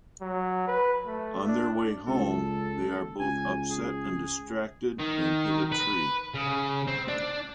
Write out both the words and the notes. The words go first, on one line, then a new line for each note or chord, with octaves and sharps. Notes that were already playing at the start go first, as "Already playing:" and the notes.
On their way home, they are both upset and distracted and hit a tree.
F#3
B4
A3
D4
C#2 A4
C#2 G#5
G#4
D#3
B4
C#3
C4
D4